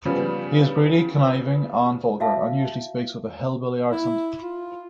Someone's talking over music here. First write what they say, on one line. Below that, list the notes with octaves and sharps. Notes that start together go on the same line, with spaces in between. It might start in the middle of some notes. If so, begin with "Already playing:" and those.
He is greedy, conniving, and vulgar, and usually speaks with a hillbilly accent.
C#3 F3 G3 B3
F#4 E5 F5 A5
E4
F4